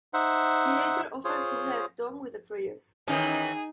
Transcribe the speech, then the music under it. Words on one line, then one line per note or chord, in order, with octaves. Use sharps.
He later offers to help Don with the prayers.
D#4 C5 E5 F#5
F4 G#4 C5 C#5
D#3 E3 C#4 D#4 G#4